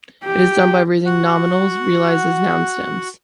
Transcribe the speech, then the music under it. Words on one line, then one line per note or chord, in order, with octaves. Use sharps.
It is done by raising nominals realized as noun stems.
G4 G5
F#4 F#5